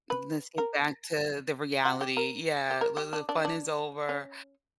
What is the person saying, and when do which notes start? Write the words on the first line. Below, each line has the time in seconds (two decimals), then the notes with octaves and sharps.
M let's get back to the reality, yeah, well, the fun is over
0.10 B4
0.58 A#4
1.85 F#4
2.01 G4
2.17 A#4
2.70 G4
2.81 A#4
2.97 G4
3.13 D4
3.29 D4
3.45 D4
4.09 C#4